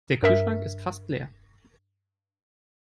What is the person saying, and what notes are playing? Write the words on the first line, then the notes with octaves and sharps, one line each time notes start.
Der Kühlschrank ist fast leer.
G2 A#4 E5